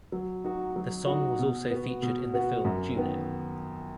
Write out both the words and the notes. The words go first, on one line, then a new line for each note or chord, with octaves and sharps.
The song was also featured in the film "Juno".
F#3
D#4 F#4
F#3
D#4 F#4
B2
B3 F#4
B2
B3 F#4
F#2
D#3 B3